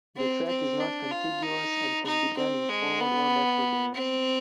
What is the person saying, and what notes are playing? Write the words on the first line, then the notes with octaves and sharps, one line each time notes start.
The track is not contiguous and can be done in forward or backward direction.
C4
C4
D4
F4
D#4
D#4
C4
G#3
B3
C4